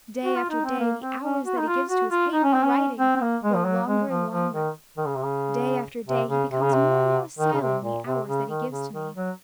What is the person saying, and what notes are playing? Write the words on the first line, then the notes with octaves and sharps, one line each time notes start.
Day after day the hours that he gives to his hateful writing grow longer and longer; day after day he becomes more and more silent in the hours that he gives to me.
F#4
F4
D#4
C4
A#3
C4
C#4
F#4
D#4
F4
F#4
F4
D#4
C#4
C4
C#4
C4
C4
A#3
G#3
F3
F#3
G#3
F3
F3
D#3
D#3
C#3
C3
C#3
C3
C#3
C3
C#3
C3
D#3
C#3
C3
A#2
C3
C#3
D#3
C#3
D#3
F#3